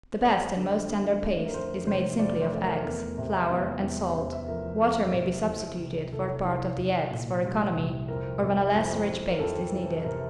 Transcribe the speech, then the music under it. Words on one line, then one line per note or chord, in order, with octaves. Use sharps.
The best and most tender paste is made simply of eggs, flour and salt, water may be substituted for part of the eggs, for economy, or when a less rich paste is needed.
F2 D5
D3
A3
A3
A#4
F2 C5
F1 C5
F2 D5
C5
A3
A#4
E2 A#4
C3
E2
E2
E2 C5
E5
F3 A#4
F3 A#4
C3
C2
C2
C2 A4
C2
C2
A#2
G3
C2
F2 A#4
C3
F2
F2
A#4
F2 A4
E3
C3 A#4